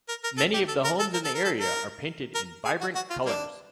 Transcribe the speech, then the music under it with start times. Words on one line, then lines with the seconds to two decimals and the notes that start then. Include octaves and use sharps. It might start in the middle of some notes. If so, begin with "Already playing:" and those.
Many of the homes in the area are painted in vibrant colors.
0.09 A#4
0.24 A#4
0.38 A4
0.54 G4
0.68 A4
0.84 A#4
0.99 A4
1.14 A#4
1.25 A4
1.34 A#4
1.44 A4
1.60 A#4
2.35 A#4
2.65 G#4
2.81 F#4
2.95 F#4
3.10 F4
3.26 G3 A#3 D4